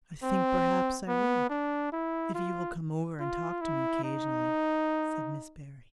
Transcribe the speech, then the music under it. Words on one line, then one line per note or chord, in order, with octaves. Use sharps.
"I think perhaps I will if you will come over and talk to me occasionally," said Miss Barry.
C4
B3
D4
E4
F4
F4
E4
D#4